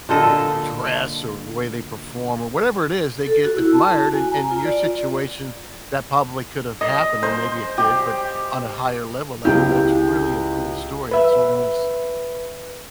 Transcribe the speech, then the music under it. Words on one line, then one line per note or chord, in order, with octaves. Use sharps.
dress, or the way they perform, or whatever it is, they get admired, and and in your situation, that probably could've happened, and maybe it did, but on a higher level, that that's really a cool story. It's almost,
A#2 D3 A4 D#5
A4
F#4
E4
A5
F#4
G#5
A#5
F4
D5
D#5
C5
G4
C#2 E4 F4 G4 G5 G6
B4 E5